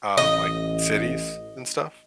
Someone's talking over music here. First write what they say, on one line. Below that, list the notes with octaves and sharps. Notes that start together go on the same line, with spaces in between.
um, like, cities and stuff
A1 D#5